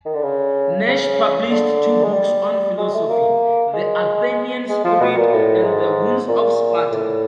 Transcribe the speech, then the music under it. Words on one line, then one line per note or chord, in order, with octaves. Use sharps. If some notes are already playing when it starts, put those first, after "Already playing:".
Nash published two books on philosophy, "The Athenian Spirit" and "The Wounds of Sparta".
D#3
D3
C#3
C#3
D3
G#3
G3
G#3
A3
A#3
G#3
G#3
F3
B2
A#2
A2
G#2
A#2
A2